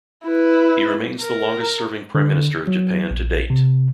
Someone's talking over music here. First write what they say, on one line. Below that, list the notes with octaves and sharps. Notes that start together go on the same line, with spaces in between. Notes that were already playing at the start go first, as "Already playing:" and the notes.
He remains the longest-serving Prime Minister of Japan to date.
E4 B4
A#4
D3
F#3
A#1
C3